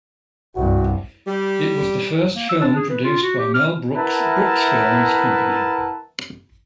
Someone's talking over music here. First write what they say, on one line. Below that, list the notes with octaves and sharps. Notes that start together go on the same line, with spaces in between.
It was the first film produced by Mel Brooks' Brooksfilms company.
C2 G2 F#4
G3
A#3
E6
D4
G#4
B4
F4
F#4
G4
F6
E4 A#4 B4 E5 F#5 A5